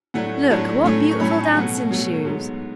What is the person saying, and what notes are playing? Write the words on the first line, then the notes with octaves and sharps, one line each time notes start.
"Look, what beautiful dancing shoes!"
A2 F#3 A3 D4 F#5
A2 F#3 A3 D4 A5
A2 F#3 A3 C#4
C#6
A2 F#3 A3 C#4 B5
A5
G#5
B2 F#3 A3 F#5
B2 F#3 A3
G#2 F#3 B3